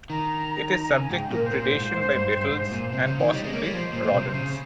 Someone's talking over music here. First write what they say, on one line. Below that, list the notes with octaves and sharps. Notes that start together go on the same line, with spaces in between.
It is subject to predation by beetles and possibly rodents.
D#3 A#5
C#3 G#5
G#2 G5
A#2 A#4
C5
A#2
C5
G#2
G2
G#2 C5
A#2
C3 C5
C#3 C5
D#3 C#5
G3 D#5
G#3
A#3 C#5
G3
F3 C5
A#2
A#2
C3
C#3